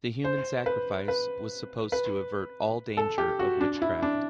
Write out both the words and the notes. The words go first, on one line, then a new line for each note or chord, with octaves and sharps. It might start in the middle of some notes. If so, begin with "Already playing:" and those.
The human sacrifice was supposed to avert all danger of witchcraft.
C5
B4
B4
B4
A4
G4
F#4
D4
E4
D4